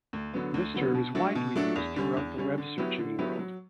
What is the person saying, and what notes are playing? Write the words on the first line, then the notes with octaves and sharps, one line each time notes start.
This term is widely used throughout the web searching world.
D2
D3 F#3 B3
D2
D3 F#3 B3
B2
F#3 A3 D4 A4
B2
F#3 A3 D4 A4
E2
D3 G3 C#4
E2
D3 G3 C#4
D3
F#3 B3 E4 G4
D3
F#3 B3 E4 G4
F#3